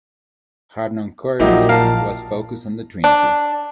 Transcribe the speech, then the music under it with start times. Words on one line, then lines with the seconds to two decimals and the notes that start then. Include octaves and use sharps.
Harnoncourt was focused on the Trinity.
1.40 A#1 A#2 F3 F#3 D#4 E4 G4
1.69 A#4 F5 A5
3.04 D4